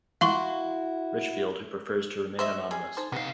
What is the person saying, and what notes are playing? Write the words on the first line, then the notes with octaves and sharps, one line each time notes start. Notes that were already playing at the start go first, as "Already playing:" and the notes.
Richfield who prefers to remain anonymous.
E4 F#4 F5 C6 C#6
C5 D#5 E5 C#6
G3 G#4
D#4 A4 C5
C3 B3 D#4 F5